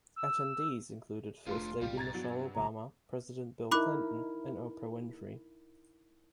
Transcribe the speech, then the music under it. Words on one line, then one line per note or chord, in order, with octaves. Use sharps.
Attendees included First Lady Michelle Obama, President Bill Clinton, and Oprah Winfrey.
E6
F1 A3 D4 F4 G#4 C6
B1 A2 C#3 G3 F4 G4
G2 A#5 G#6 A6
F#3 B3
A#1 C#3 A#3 A#5
D#4 E4 A#4 B5 D6 F#6